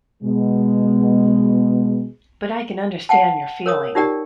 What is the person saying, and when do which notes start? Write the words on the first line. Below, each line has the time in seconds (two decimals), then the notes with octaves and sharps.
But I can understand your feeling.
0.23 B2 G#3
3.09 F#5 G5 A5
3.66 A#4 C#5 D#6
3.95 D#4 F4 G4 A#4 D5 G5